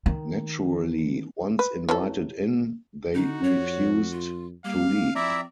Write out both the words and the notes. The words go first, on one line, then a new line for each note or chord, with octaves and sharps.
Naturally, once invited in, they refused to leave.
D#3
B4
E3 F#3 A4
D3 D#4 F#4
F2 C#5
F4
G3 A#3 F5
F3 C4 E4 D5 E5 A#5